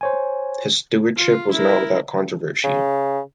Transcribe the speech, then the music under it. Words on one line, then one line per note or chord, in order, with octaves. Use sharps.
His stewardship was not without controversy.
C5 C#5 G#5
F4
E4 A#4
C#3